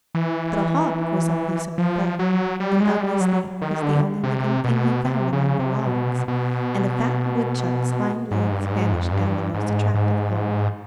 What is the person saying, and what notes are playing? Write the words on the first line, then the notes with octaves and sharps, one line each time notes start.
But a hawk was all he saw above, an ugly snake was the only living thing he found among the logs, and a fat woodchuck's hind legs vanished down the most attractive hole.
E3
F3
F#3
G3
G#3
G3
F#3
D#3
D3
C3
B2
C3
C#3
C3
B2
B2
G#2
G2
G#2
F2
G2
G#2
G#2